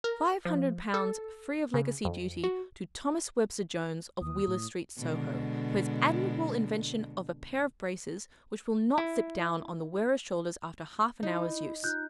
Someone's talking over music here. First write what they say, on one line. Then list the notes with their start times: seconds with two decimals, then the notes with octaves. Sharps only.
Five Hundred Pounds, free of legacy duty, to Thomas Webster Jones, of Wheeler Street, Soho, for his admirable invention of a pair of braces which will not slip down on the wearer's shoulders after half an hour's use.
0.04 A#4
0.45 F3
0.94 A4
1.74 C#3
2.05 F2
2.44 F#4
4.21 D#2 D#6
4.48 A2
4.98 B2 D3 G#3
8.98 E4
11.23 D#4 E4
11.84 D#4 F4 F#6 G6